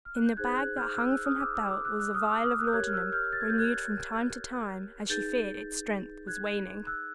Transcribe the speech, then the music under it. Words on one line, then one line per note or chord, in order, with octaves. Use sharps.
In the bag that hung from her belt was a vial of laudanum, renewed from time to time as she feared its strength was waning.
F6
F#6
G6
D#4 G#4 C5 F#6 G#6
F#6 G#6
F6 G6
E6 F#6
E6 F#6
D#6 F6
D6 E6
D6 E6
D6 E6
E6 F#6
E6 F#6
D#6 F6
D6 E6
D#6 F6
E6 F#6
G6
G4 A#4 C#5 F#6 G#6
F6
E6 F#6
F6 G6
A6
G#6
G6
F#6 G#6
D#4 G#4 B4 G6 A6
F#6 G#6
E6 F#6